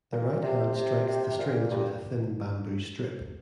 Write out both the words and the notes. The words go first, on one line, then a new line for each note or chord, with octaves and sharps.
The right hand strikes the strings with a thin bamboo strip.
A#2
C3
C3
C3
C3
A#2
G2